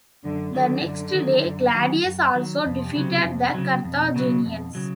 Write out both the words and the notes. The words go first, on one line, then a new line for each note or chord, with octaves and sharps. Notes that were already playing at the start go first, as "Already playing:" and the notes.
The next day Claudius also defeated the Carthaginians.
F#2 D3
D3 D#3 F#3
F#2 D3
D#3 F#3
F#2
D#3 F#3
F#2
D#3 F#3
F2 C3
C#3 F#3
F2
C#3 F#3
F2 B2
C#3 F#3
F2
C#3 F#3